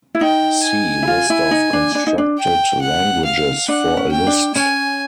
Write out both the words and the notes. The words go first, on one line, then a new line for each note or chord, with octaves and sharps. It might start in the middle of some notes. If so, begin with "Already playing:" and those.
See list of constructed languages for a list.
E4
D#4 G5
G#5
E4
F4
E4
D#4
D4
D4
D#4
D4
G5
F#5
F5
D4 F#5
C#4
G5
D4
C#4 G#5